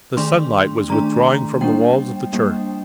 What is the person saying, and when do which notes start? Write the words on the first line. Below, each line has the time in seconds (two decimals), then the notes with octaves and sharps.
The sunlight was withdrawing from the walls of the church.
0.17 D#3 A3 D4 C6
0.90 D#3 A3 D4 A#5
1.61 G3 A#3 D4 G5
2.33 G3 A#3 D4